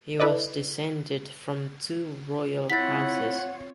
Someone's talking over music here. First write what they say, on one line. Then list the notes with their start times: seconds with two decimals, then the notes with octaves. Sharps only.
He was descended from two royal houses.
0.20 E4 A4 B4 D5 D#5
2.70 C4 E4 F4 C#5 F#5 A6 B6